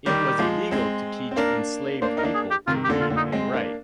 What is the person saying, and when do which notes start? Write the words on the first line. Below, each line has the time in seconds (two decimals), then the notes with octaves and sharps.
It was illegal to teach enslaved people to read and write.
0.06 D#3 G3 G4
0.39 F3 G#3
0.71 G#3 C4
1.31 C4
1.36 A#3 D4 A#4
2.02 A#3 D4 C5
2.17 D#4 A#4
2.23 A#3 D4
2.35 G#4
2.51 G4
2.67 C3 D#3 F4
2.84 G4
2.88 A#2 D3
3.01 F4
3.10 A#2 D3
3.16 D#4
3.32 G#3 C4
3.54 A#3 D4